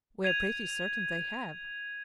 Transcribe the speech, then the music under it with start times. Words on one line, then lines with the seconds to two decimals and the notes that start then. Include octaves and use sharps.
"We are pretty certain they have."
0.24 G#6 D#7 F7